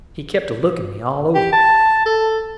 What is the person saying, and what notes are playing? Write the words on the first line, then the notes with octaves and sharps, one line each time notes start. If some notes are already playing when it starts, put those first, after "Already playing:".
He kept a-looking me all over.
G4
A5
A4